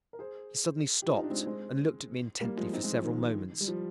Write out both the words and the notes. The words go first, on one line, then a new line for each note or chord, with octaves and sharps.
He suddenly stopped and looked at me intently for several moments.
A#4
G#4 C5
G4
F4
D#4
D4
G#3 C4
G#3 C4
G3 A#3
F3 G#3
C4 D#4
G#3 C4
F3
D#3
G3
F3